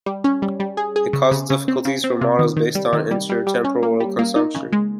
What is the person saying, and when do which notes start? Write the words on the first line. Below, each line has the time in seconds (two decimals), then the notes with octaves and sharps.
It causes difficulties for models based on intertemporal consumption.
0.06 G3
0.24 C#4
0.42 G3
0.60 G3
0.77 G#4
0.96 G#4
1.13 C#3
1.31 C#3
1.50 C#3
1.68 C4
1.85 C#3
2.04 C4
2.21 C3
2.39 D#3
2.57 D#3
2.75 G3
2.93 D#3
3.11 G3
3.29 G3
3.47 G3
3.64 C#4
3.83 A#3
4.00 G3
4.19 A#3
4.36 D#4
4.55 C#3
4.73 G#3